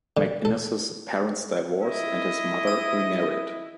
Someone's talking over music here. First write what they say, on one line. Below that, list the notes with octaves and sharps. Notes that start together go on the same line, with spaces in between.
MacInnes's parents divorced and his mother remarried.
D3
A4
E4 D#5
D#6